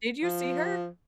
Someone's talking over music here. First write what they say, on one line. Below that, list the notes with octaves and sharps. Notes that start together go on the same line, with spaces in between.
Did you see her?
F3